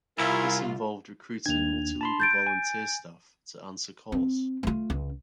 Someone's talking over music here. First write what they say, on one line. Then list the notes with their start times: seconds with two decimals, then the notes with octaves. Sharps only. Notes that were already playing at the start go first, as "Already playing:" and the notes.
This involved recruiting multilingual volunteer staff to answer calls.
0.18 C2 E4 F4 A#4 G#5
1.46 D#2 D4 G#6 F7
2.01 A5 B5 C6
2.20 G6 A6 D7
2.47 G#5
4.12 C4
4.63 A3 F4
4.90 C#2